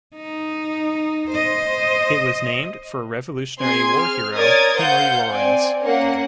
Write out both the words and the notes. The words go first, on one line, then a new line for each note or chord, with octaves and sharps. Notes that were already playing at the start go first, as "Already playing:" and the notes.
It was named for Revolutionary War hero Henry Laurens.
D#4
C5 D#5
C4 G#4 C6 G#6
F6
A#4 C#5 D5 D#6 G#6 A6
C5 F5 F#5 G6
C4 D5 G#5
A#3 C#4 F#5